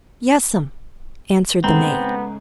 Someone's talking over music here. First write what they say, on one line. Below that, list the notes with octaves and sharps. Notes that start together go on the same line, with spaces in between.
"Yes'm," answered the maid.
G#2 C#3 A3 B3 C4 A#5